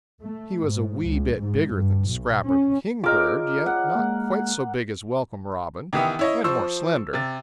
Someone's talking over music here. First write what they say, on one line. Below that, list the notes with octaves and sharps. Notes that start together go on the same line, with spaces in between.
He was a wee bit bigger than Scrapper the Kingbird, yet not quite so big as Welcome Robin, and more slender.
A3
G#2
C#2
G#2
G2
B1
C#4
F4 G#4 A#4 D#5 D6
F#5
G#3 A#3
D#3 E3 B3 G4 E5 D#6
E4 C#5 D#5
F3 C5 C#6 E6
C3 A6